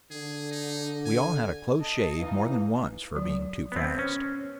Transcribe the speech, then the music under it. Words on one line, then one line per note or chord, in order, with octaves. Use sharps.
We all had a close shave more than once for being too fast.
D3 G#4
D#4
G#5
D#5 A5
E3 D#4 F5
F#3
B3 C4
C#4